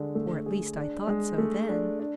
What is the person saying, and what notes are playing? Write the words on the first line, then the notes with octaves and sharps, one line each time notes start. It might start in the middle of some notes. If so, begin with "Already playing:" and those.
Or at least I thought so then.
Already playing: D3 G#3
A3
G#4
D4
G#3
A3
D4
D4